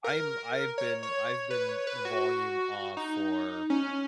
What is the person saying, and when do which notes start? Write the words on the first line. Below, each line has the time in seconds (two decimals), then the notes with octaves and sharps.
I'm I've been I've been "volume off" for
0.04 A#4
0.78 C#5
1.03 C#5
1.50 B4
1.69 C#5
1.87 B4
2.05 F#4
2.97 D#4
3.70 C#4